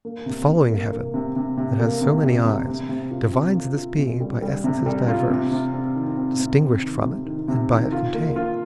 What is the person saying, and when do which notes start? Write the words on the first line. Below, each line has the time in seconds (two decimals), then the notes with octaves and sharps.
The following heaven, that has so many eyes, Divides this being by essences diverse, Distinguished from it, and by it contained.
0.05 A#3
0.26 C3
0.48 C3
0.70 A#3
0.92 A#3
1.14 C3
1.36 C3
1.57 C3
1.80 A#3
2.01 C3
2.23 C3
2.45 C3
2.67 C3
2.89 C3
3.11 F4
3.32 C4
3.54 F4
3.76 F4
3.98 C3
4.20 G3
4.42 G3
4.64 C3
4.86 G3
5.08 F4
5.30 C3
5.51 C3
5.73 C4
5.95 D#3
6.17 C4
6.39 C3
6.61 C4
6.83 D#3
7.04 C3
7.26 D#3
7.48 C3
7.71 D#3
7.92 F4
8.14 A#3
8.36 F4